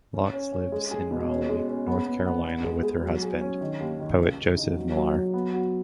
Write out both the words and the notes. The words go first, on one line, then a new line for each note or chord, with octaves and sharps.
Laux lives in Raleigh, North Carolina with her husband, poet Joseph Millar.
C#4
C#4
C#4
G#3
G#4
B2
C#4
G#3
C#4
B3
B3
B3
B3
G#3
G#3
F#3
G#4
C#4
D#3
D#2
D#3
C#2
C#3
D#4
F#3
F#3
F#3
B3
F#4